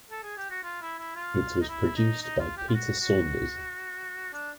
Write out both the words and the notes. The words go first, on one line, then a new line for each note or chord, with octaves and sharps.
It was produced by Peter Saunders.
A4
G#4
G4
F#4
F4
E4
E4
F4
D#4
E4
D#4
D#4
F4
G4
F4
F#4
F#4
D4